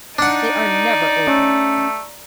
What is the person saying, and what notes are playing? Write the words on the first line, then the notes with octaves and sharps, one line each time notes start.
They are never open.
D4 D#4 D5 F#5
A3 C#4